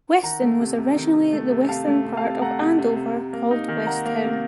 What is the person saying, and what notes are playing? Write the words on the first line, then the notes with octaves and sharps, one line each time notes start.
Weston was originally the western part of Andover called West Town.
D#3 F#5 A#5
A3
C3
C3
D#3
C3
A3
C3
C3 F5 A5
A3
C3
F5 A5
C3
A3 F#5 A#5
C3
C3
C3
C3
A#3
D#4
D#3
A#3 F#5 A#5
A#3
C3